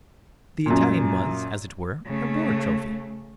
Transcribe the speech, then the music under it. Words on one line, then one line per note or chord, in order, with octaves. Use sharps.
The Italian was, as it were, a war trophy.
F#2 A#2
C#3 A3